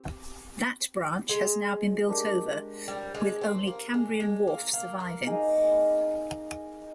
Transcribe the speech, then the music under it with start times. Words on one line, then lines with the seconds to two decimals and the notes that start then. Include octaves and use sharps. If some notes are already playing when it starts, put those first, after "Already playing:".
That branch has now been built over, with only Cambrian Wharf surviving.
Already playing: C4 G4
1.29 G#3
2.08 D4 G4 A#4
2.88 G3
3.14 G#3
3.41 C4
3.67 A#3
3.94 G#3
4.20 G#3
4.47 A#3
4.73 A#3
5.00 A#3
5.27 D#4 G#4 D#5